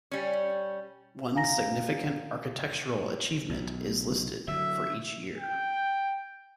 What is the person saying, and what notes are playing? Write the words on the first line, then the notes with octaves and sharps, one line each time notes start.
One significant architectural achievement is listed for each year.
G3 C#4
F5 G#5 A#5 A#6
B1
D3 F#3 E5
G5